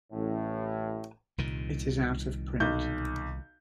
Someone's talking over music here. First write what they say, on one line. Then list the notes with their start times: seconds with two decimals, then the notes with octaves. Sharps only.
It is out of print.
0.12 A1 A2
1.38 C2 A#2 D#3
2.60 B1 G6